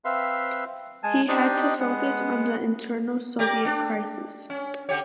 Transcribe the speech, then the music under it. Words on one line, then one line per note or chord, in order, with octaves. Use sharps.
He had to focus on the internal Soviet crisis.
C4 B4 E5 F5 C6
G#3 G#5 A5
D4 D#4 G4 C5 D5 D#5
G#3 B3 F#5
G4 A#4 D5
D4
C#4
D3 G4 C#5